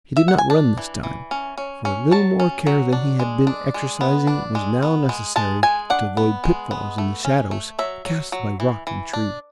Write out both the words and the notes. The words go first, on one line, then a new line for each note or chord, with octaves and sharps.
He did not run this time, for a little more care than he had been exercising was now necessary to avoid pitfalls in the shadows cast by rock and tree.
E5
F#5
G#5
D4 A5
E3
E3
C#4
C#4
C#4
F#3 A5
C#4
F#3
D4
G#3
D4
G#3
B3
D4
G#3
B3
G#3
G#3 A5
G#3 G#5
D4 F#5
B3
G#3
B3
A3
C#4
A3
F#3 E5
F#3
F#3
E3
E3
D4